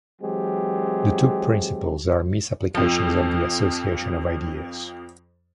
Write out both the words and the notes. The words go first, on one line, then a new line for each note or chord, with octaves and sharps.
The two principles are misapplications of the association of ideas.
E3 F#3 G#3 C4 G4
F2 F3